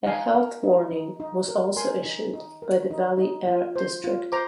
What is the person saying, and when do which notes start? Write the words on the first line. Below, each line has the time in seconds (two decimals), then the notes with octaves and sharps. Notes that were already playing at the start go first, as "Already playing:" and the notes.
A health warning was also issued by the Valley Air District.
0.06 D#4 F5 G#5
0.35 A#4
0.63 D#4
0.91 D#4
1.20 D#4
1.48 A#4
1.77 A#4 G#5 C6
2.05 D#4
2.33 D#4
2.62 A#4
2.91 D#4
3.18 D#4
3.47 F4
3.76 C5
4.04 F4
4.32 C5 A#5 D6